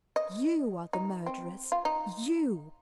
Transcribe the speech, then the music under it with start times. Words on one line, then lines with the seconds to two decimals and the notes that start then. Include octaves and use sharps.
You are the murderess--you!
0.16 D#5
0.93 D#4
1.26 C4
1.72 F4
1.85 D#4